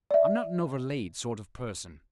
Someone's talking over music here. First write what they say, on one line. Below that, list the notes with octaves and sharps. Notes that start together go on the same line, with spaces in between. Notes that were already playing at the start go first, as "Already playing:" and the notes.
I'm not an overlaid sort of person.
D5 E5